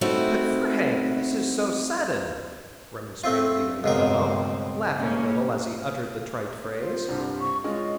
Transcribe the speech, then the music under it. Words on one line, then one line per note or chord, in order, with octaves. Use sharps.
"But, Frank, this is so--sudden," remonstrated the young fellow, laughing a little as he uttered the trite phrase.
A3 C4 D#4 E4 F#4
A3 C4 F4
C#2 G2 B2 C4 A#4
C#3 A#3 C#4
F4 C5
C2 G2
C#6
G#3 C#4 F4 D#5